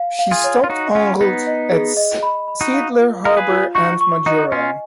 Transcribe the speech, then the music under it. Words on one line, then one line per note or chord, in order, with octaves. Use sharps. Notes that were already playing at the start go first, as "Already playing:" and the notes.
She stopped en route at Seeadler Harbor and Majuro.
Already playing: F5
F5
F4 G#4
C#5
F4
D#4 F#4 C#6
C#4 F4 F#5
B3 D#4 B4
D#5
G#4
D#5
B5
B5
D#4 F#4
F5
F4
A#4 F5
G#4 B4
F4
D#4 F#4 C#6
C#6
D#4 F#4 D#5
C#4 F4 G#5